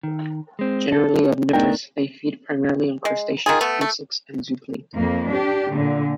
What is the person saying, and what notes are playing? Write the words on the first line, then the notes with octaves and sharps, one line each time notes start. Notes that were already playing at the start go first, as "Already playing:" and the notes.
Generally omnivorous, they feed primarily on crustaceans, insects, and zooplankton.
D#3
G#3 C4
A4
A3 B3 D4 D#4 A#4 G5
G#3
D#3 F4 G#4
A3 B3
A3
F2 A#3
D4 G4
A#2 D3